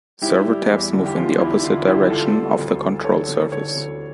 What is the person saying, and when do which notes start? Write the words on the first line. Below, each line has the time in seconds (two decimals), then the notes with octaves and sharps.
Servo tabs move in the opposite direction of the control surface.
0.22 G3 E4 G4
0.46 G3
0.69 E2
0.92 D3
1.06 G4
1.16 E2 F4
1.39 E2 E4
1.63 D3 F4
1.87 D3 E4 G4
2.10 G3 F4 A4
2.34 D3
2.58 D2
2.81 D2
3.04 D3 A4 C#5
3.29 D2
3.52 D3 A4 C#5
3.76 D2